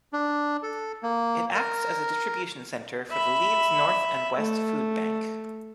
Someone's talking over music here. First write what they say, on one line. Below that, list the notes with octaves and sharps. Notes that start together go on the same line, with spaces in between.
It acts as a distribution centre for the Leeds North and West Foodbank.
D4
A4
A#3
A#4
E5 B5
A3